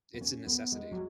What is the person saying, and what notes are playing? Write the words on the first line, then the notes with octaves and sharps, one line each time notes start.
it's a necessity.
B3
C#4
B3
G#3
F#3